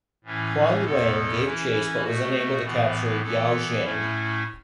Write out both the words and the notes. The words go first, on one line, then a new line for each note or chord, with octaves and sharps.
Huan Wen gave chase but was unable to capture Yao Xiang.
A2 E3 C#4 E4
E2 B2 B3 A4
E3 C#4 E4
B2 A3 F#4
A2 E3 B3
E3 B3 A4
A2 A3 C#4 E4